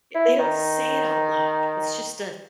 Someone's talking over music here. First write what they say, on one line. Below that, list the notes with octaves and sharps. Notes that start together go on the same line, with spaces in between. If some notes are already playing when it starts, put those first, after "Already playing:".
Yeah, they don't say it out loud, it's just a
E4
D#3